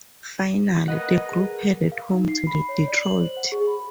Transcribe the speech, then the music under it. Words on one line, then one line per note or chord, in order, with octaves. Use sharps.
Finally, the group headed home to Detroit.
A#4 B4 D#5 F#5
G#4
F5
D#4
C7
B5
C#5
D5
F#7
C5
F#5
G#4
B5